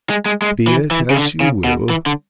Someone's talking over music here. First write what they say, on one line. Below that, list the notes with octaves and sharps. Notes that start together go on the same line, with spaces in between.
"Be it as you will."
G#3
G#3
G#3
E3
E3
C#3
D3
C#3
B2
E3
D3